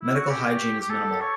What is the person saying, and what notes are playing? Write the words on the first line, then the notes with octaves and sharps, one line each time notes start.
Medical hygiene is minimal.
E4
F#4
G4
G4
A4
C#5